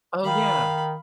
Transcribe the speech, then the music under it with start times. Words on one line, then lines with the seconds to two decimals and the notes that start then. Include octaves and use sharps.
Oh yeah,
0.24 D#3 F5 B5